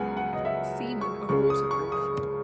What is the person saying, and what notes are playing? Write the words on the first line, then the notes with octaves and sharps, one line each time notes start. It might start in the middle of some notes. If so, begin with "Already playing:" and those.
Seaman of Waterproof.
Already playing: C#2 C#3 F#3 B3 F#5 G#5
F#5
D#5
E5
C#6
C#2 C#3 G#3 C#6
D#6
C#6
D#6